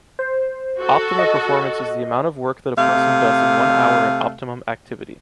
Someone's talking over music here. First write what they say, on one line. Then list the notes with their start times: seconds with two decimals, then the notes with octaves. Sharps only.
Optimal performance is the amount of work that a person does in one hour at optimum activity.
0.19 C5
0.78 F#4 A4
1.19 D#5
2.77 C3 A3 F5